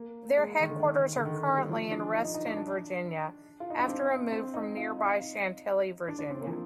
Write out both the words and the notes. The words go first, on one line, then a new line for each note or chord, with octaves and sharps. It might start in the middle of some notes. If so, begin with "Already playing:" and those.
Their headquarters are currently in Reston, Virginia after a move from nearby Chantilly, Virginia.
Already playing: A#3
G#3
D#3
D3
D#3
D3
D#3
G3
F3
D4
D#4
D#4
D#4
D4
D4
F4
D#4
D4
C4
C4
D#4
F4
D#4
D4
D4
C4
A#3
F3